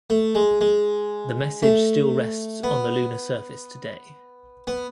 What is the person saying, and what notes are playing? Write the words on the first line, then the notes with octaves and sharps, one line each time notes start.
The message still rests on the lunar surface today.
A3
G#3
G#3
A3
B3
B3